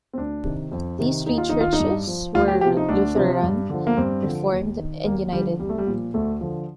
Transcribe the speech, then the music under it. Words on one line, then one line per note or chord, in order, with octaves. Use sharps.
These three churches were Lutheran, Reformed, and United.
C4
D2 D4
C3 D#3
F2
C3 D#3
D#2 D#4
F4
D#3 D#4
F4
D#4
G2
F3
D2 F4
G4
C3 F3 G4
D#4
D2 D4
C3 F3
G2
D3 F3
A#3
G2 C4
D3 F3
D#2
D#3
D#2 A#3
D3 F3 G3
C2 G3
A3
G3
A#2 F3
D2 A3
D3 F3